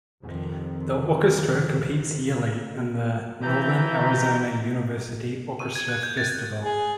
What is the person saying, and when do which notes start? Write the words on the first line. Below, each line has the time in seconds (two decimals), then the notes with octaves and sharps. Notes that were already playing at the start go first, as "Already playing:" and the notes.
The orchestra competes yearly in the Northern Arizona University Orchestra Festival.
0.22 F2 C3 D#3
3.42 E3 A#5 G6
5.59 D#7
5.75 G#6
5.89 F#6
6.03 G6
6.17 A6
6.64 G#4